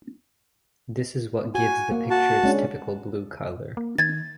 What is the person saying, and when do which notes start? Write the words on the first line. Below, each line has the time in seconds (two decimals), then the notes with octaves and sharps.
This is what gives the picture its typical blue color.
1.55 F#4 G#5
1.92 A#3
2.10 F#4 A5
2.44 G#3 C#4 D4
3.77 A#3
3.98 D#3 G#6 A6